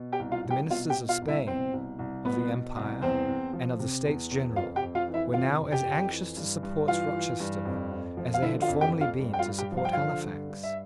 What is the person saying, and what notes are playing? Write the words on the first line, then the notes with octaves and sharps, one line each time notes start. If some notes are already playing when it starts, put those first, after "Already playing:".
The ministers of Spain, of the Empire, and of the States General were now as anxious to support Rochester as they had formerly been to support Halifax.
Already playing: B2
G4 G5
C2
F4 F5
C2
G4 G5
B2 F4 F5
G4 G5
B2
F4 F5
C2
E4 E5
B2 C4 C5
C2
C2
B2 B3 B4
B2
C2
E2 C4 C5
E2
F3
C3
E2
E2
F2 F4 F5
G4 G5
F2
F4 F5
E3
E4 E5
C3 F4 F5
F2
G4 G5
F2
E3
G2
G2
E3 F4 F5
E3
G2
F2
F2
F3
F5
D3 E4 E5
F4 F5
F2
G4 G5
F2
F4 F5
G2
G5
F4 F5
G2
G4 G5
F3
F5
G5
D3 F4 F5
G2
G2
E5